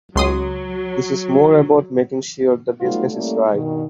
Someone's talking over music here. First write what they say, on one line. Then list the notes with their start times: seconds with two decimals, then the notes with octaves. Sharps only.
This is more about making sure the business is right.
0.16 C#2 F#3 C6 D#6
2.80 F#3 G3 A3 B3 D#4 F4
3.12 G3 A3 A#3 C#4 E4 A4
3.52 G2 B2 D#3